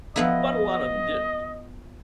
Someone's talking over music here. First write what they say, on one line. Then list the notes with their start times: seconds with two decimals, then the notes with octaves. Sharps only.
but a lot of 'em didn't,
0.16 F3 B3 E4 D#5